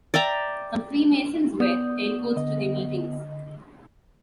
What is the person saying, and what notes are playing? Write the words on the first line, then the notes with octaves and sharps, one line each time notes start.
Some Freemasons wear tailcoats to their meetings.
D5 E5 G5 A#5
B3 D5 D#6 G6
D3 D#5